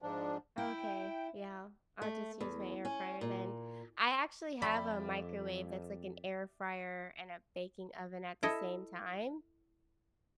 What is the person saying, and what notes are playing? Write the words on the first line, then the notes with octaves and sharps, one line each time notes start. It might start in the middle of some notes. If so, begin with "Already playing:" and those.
Okay, yeah, I'll just use my air fryer then. I actually have a microwave that's like an air fryer and a baking oven at the same time.
G#2 F3 D4
E4 G5
A3
E2
C#4
A#2
F2 D5 E5 G5 B5
E4 A4 D#5 E5